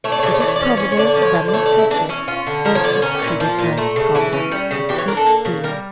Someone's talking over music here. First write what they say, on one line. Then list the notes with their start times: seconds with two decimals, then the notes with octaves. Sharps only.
It is probable that in secret Ursus criticized Providence a good deal.
0.04 A3 C#5
0.12 D5
0.19 C#5
0.23 C#3 D5
0.34 C#5
0.40 E3 D5
0.48 C#5
0.56 D5
0.60 C#4 C#5
0.70 D5
0.77 C#4 C#5
0.85 D5
0.92 C#5
0.97 D3 D5
1.07 C#5
1.14 F3 D5
1.22 C#5
1.35 D3
1.48 D5
1.53 A3 C#5
1.66 D5
1.72 C#3
1.79 E4
1.91 E3 D4
2.09 C#4 E4
2.28 C#4 F4
2.47 D3
2.65 F3 A#4
2.75 C#5
2.84 D3 D5
2.93 C#5
3.02 C#4 A#4
3.15 G4
3.22 A#2
3.27 E4
3.40 F3 F4
3.59 A#2
3.77 A3
3.96 C#3
4.15 E3 E4
4.33 C#4
4.51 G3
4.71 C#3
4.89 E3 G4
4.98 C#5
5.08 D4 A#4
5.17 A4
5.26 A#3
5.45 C#3
5.64 G3 A#4